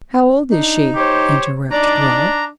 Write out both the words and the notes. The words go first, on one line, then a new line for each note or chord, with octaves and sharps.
"How old is she?" interrupted Rob.
D4 D#4
G4 C5 C#5
D4 D#4 D5 A#5